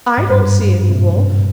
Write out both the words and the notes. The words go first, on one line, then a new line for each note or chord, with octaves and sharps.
'I don't see any wolf.'
G#2
G2
G#2
C3
A#2